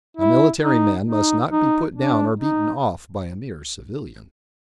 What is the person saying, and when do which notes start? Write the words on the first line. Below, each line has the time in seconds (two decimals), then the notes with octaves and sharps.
A military man must not be put down or beaten off by a mere civilian.
0.17 E4
0.61 D#4
1.07 D#4
1.51 D#4
1.95 D4
2.40 D#4